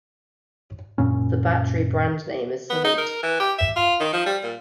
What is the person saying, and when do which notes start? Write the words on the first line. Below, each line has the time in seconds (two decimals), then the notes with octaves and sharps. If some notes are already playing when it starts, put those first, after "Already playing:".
The battery brand name is Solite.
0.98 F#2 A#2 C#3 C#4
2.70 B3
2.84 D#4
2.98 A#4
3.23 E3
3.40 G4
3.59 E5
3.76 F4
4.00 D#3
4.13 F3
4.26 G3
4.43 A#2